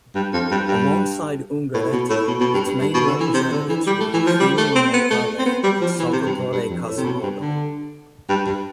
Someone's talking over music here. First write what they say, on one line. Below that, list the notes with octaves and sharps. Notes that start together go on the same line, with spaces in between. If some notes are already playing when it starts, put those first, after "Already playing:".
Alongside Ungaretti, its main representatives were Eugenio Montale and Salvatore Quasimodo.
G2
F2
G2
G2
A2
B2
A2
B2
B2
G2
G2
G2
B2
D3
E3
C3
D3
E3
G3
A3
E3
F3
G3
A3
C4
B3
A3
C4
B3
G3
F3
E3
C3
G2
G2
G2
F2
A2
C3
B2
G2
D3
G2
G2